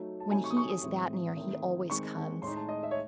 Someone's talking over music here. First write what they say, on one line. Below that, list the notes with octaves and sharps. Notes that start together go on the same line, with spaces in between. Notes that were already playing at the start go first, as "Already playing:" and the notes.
When he is that near he always comes.
Already playing: F#3 A3 D#4
A5
C3 F#3 A3 D#4 G#5
C#6
D#6
C#6
D#6
A2 E3 G#3 C4
D#3 A3 C4 E4
D#3 G#3 C4 D#4 C#6
A2 G#3 D#4 C6
A5
D#5
E5
C#5